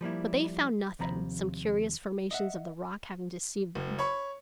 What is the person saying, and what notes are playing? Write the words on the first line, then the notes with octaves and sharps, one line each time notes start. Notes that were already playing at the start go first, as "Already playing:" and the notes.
But they found nothing, some curious formations of the rocks having deceived them.
F3 G3 A#3 E4
D#2 C3 F3 A#5 B5
D#5 E5 F#5
F#1
C#5 B5 C#6